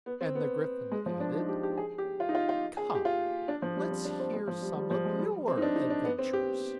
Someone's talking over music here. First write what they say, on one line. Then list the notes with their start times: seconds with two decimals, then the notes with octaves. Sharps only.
And the Gryphon added 'Come, let's hear some of YOUR adventures.'
0.06 B3
0.21 C4
0.35 B3
0.92 G#3
1.06 F3
1.20 D4
1.35 D#4
1.49 G4
1.63 G4
1.78 G#4
1.98 G4
2.20 F4
2.29 D#4
2.35 F4
2.49 F4
2.77 G#4
2.95 G4
3.05 F4
3.48 D4
3.62 F3
3.77 G3
3.91 C4
4.05 D4
4.20 C4
4.34 G#3
4.48 F3
4.62 G3
4.76 G3
4.91 F3
5.05 G#3
5.19 G3
5.48 C4
5.58 D#4
5.62 D4
5.76 D#4
5.90 D4
6.05 B3
6.19 C4
6.33 G4